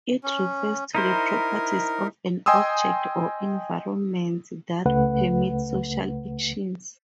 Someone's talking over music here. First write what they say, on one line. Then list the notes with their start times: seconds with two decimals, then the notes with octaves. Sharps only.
It refers to the properties of an object or environment that permit social actions.
0.23 C#4
0.95 D#4 E4 A#4 C5
2.46 D#5 G5 G#5 C6 D#6 E6
4.85 C#2 C#3 A3 B4 F#5